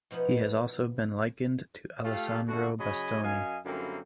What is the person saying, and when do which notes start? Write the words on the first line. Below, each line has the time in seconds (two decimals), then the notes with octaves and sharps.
He has also been likened to Alessandro Bastoni.
0.11 B2 F3 B3 D#4 E4
2.04 A3 F4 G4 A4 F5
2.48 B2 D3 A3 F#4
2.80 C#3 F#3 C#5 D#5 G#5 B5
3.23 F#2 D#5 F5 G#5
3.66 F#2 D3 G3 A#3 C4 E4